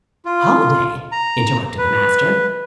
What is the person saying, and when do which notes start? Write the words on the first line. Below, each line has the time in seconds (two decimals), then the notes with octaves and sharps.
"Holiday!" interrupted the master.
0.25 F4
1.12 A#5
1.78 B4